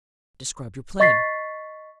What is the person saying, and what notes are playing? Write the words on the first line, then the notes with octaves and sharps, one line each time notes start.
"Describe your plan."
D#5 C#6 A6 B6 C7